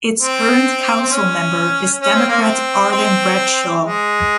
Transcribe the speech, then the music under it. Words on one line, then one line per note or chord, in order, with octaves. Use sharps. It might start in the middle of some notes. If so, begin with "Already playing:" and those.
Its current councilmember is Democrat Arlyn Bradshaw.
C4
C4
C#4
C#4
C4
A#3
C4
C4
G#3